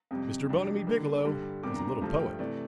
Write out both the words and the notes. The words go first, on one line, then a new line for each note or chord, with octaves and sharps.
Mr. Bonamy Biggielow was a little poet.
F2 C3 G3
F2 C3 G3 D4
D3 G3 A#3 D4
G2 D3 G3
E2 C3 G3 A#3 D4 D6
A#5
A#5
G2 F3 A3 A5
G5
C3 E3 A3 D5